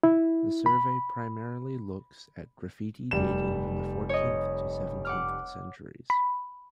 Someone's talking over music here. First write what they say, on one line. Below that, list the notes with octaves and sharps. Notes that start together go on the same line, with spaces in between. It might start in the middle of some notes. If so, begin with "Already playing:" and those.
The survey primarily looks at graffiti dating from the fourteenth to seventeenth centuries.
E4
B5
F1 G3 E7
C#5 D#5
F#5 D6 F6
B5